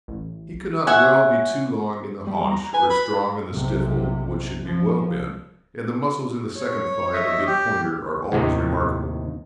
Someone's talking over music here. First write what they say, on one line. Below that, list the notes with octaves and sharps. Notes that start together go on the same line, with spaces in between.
He cannot well be too long in the haunch or strong in the stifle, which should be well bent, and the muscles in the second thigh of a good Pointer are always remarkable.
A1
C#5 E5 F#5 G#5
G3
A#5
B4 G#5
B5
F#1 B1 C3
F3
C#5
D#5 E5
G4
D#2 A2 C3 D#3